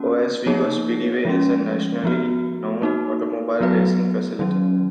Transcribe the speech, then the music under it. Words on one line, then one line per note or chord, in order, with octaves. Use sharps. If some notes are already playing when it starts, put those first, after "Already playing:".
Oswego Speedway is a nationally known automobile racing facility.
Already playing: A#3 C#4 F#4
F3 A#3 D#4 G#4 C#5
F3 G#3 C#4
F3 B3 F#4
A#3 D#4 F#4
F#3 B3 F#4 B4
D#3 F#3 C#4